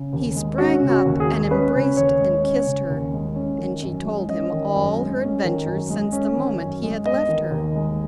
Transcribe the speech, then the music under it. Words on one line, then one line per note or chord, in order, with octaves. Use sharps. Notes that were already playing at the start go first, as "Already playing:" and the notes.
He sprang up and embraced and kissed her, and she told him all her adventures since the moment he had left her.
Already playing: C#3
D#2
G#3
C#4 F#4
C#3
F#4
D#2
G#4
G#3
C#4 B4
C#3
D#2 C#5
G#3
C#4
C#3
D#2
G#3
C#4
D#3
F#2
G#3
C#4 D#5
D#3
F#2
G#3
C#4
D#3
F#2
G#3
C#4
D#3
F#2
G#3
B3 D#5
D#3
D#2
G#3